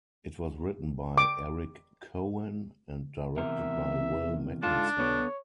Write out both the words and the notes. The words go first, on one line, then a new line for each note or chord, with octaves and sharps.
It was written by Eric Cohen and directed by Will Mackenzie.
D6
E2 C3 A#4 E5
G#2 D4 F4 A4 A5
D3 B3 A4 C#5